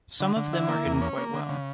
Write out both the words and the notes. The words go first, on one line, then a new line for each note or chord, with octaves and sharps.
Some of them are hidden quite well.
D3
D3
E4
A#3
E2
C#4
A#3
D3
C#3